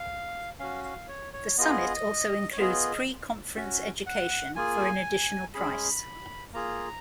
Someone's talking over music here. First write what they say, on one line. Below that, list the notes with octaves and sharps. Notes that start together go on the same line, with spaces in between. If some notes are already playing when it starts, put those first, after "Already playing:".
The Summit also includes preconference education for an additional price.
Already playing: F5
C#4 F#4 F5
F5
C#5
C#5
B3 F4 G#4 D#5
C#5
B3 F4 G#4 D#5
C#4 F#4
F#5
A#3 F4 G#4 G#5
G#3 C#4 G#4 B5
A#3 F4 G#4 A#5